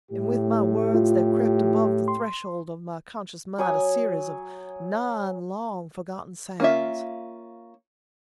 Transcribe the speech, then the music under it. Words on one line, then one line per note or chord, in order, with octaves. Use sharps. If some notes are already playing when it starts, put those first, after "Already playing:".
And with my words there crept above the threshold of my conscious mind a series of nine long forgotten sounds.
A2 G4
F4
C6
F#3 G#5 D#6
A#3 C#4 F4 E5